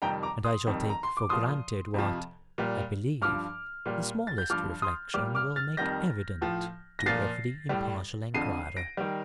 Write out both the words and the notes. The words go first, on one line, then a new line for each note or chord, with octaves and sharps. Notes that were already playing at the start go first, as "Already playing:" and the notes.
And I shall take for granted what, I believe, the smallest reflection will make evident to every impartial enquirer.
F2 C3 D#3 G3 G5 A#5
A#5 D6
C6 D#6
F2 D#3 G3
A#5
C6
D6
A#2 F3 C6 D#6
F2 C3 F3
A#2 G3
G2 F3 D6 F6
A#2 G3
A6
G6
G2 F3 D6 F6
C6 D#6
A#2 G3 D6 F6
D6 F6
F6 A6
F2 D#3 G3 G6 A#6
A2 F3
A#6
A#2 F3 A6 C7
A2 G3
F2 D3 F3 C7 D#7
A#6 D7
D#3 G3